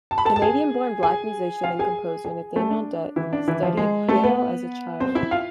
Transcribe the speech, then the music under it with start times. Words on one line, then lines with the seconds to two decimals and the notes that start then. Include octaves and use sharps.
Canadian-born Black musician and composer Nathaniel Dett studied piano as a child.
0.11 A5
0.18 B5
0.25 A4 A5
0.36 A5
0.42 G#4 G#5
1.03 G#4 G#5
1.64 F4 F5
1.79 G#4 G#5
2.24 G#4 G#5
2.56 A3 A4
2.70 D4
3.16 E3 E4
3.33 D4
3.48 E3 E4
3.63 F3 F4
3.77 G#3 G#4
4.09 A3 A4
4.23 B3 B4
5.00 C4 C5
5.15 E4 E5
5.31 F4 F5